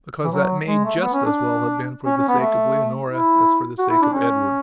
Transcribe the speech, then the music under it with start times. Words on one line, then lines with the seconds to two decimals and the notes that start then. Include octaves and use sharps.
Because that may just as well have been for the sake of Leonora as for the sake of Edward.
0.24 E3
0.32 F#3
0.67 G#3
0.84 A3
1.02 B3
1.13 C#4
1.25 D4
2.06 C#4
2.17 C#4
2.28 B3
2.40 A3
3.09 E4
3.78 F#4
3.90 E4
4.02 D4
4.13 C#4